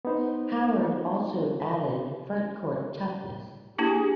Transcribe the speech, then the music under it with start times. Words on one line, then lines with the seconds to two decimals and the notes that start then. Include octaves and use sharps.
Howard also added frontcourt toughness.
0.05 B3 D#4 C5
3.79 A#3 D4 E4 G4 G#4